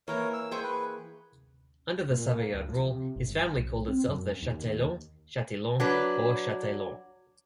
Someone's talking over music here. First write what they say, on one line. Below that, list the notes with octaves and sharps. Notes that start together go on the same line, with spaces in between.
Under the Savoyard rule his family called itself Chateillon, Chatillon, or Chataillon.
E3 A#3 A#4 C#5 A#5
E6
G#4 C5 G5 C#6
B4
A#2
A#3
D2
F3
C3
G1
B1
C4
F#2
D#2
F#3 D4 B4